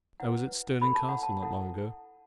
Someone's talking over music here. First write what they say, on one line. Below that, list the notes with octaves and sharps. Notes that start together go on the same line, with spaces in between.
I was at Stirling Castle not long ago.
E4 B4 F#5
E4 A4 B5
A5
F#5
A5
E4 A4 F#5